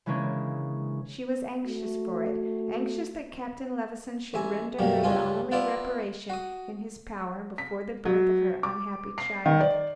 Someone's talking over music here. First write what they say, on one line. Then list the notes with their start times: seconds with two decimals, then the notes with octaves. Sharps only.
She was anxious for it--anxious that Captain Levison should render her the only reparation in his power before the birth of her unhappy child.
0.06 C#3 E3 G#3 A#3 C#4 D4
1.65 A3 F#4
4.34 A1 E5 G#5
4.79 F#2 B2 G3 A#3
5.04 C#2 G2 C#4 F4 G#5
5.51 B3 E4 F4 D5 A5
6.30 F#4 D#6
7.58 B6
8.05 F#3
8.63 D6
9.18 C7
9.46 D#3
9.61 D5